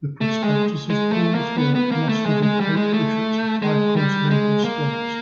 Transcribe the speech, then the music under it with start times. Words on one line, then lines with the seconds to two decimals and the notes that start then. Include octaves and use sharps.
The prospectus of Poole's work mustered of eight bishops and five continental scholars.
0.21 A3
0.44 G#3
0.90 G#3
1.12 A3
1.35 A#3
1.58 B3
1.75 B3
1.92 A#3
2.09 A3
2.26 G#3
2.43 G#3
2.60 G3
2.76 G#3
2.94 A3
3.62 G#3
3.96 G3
4.31 G#3
4.65 A#3